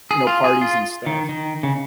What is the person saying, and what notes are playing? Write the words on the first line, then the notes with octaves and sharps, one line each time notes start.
you know, parties and stuff.
G#4
F4
G#4
F4
D#3
D#3
C#3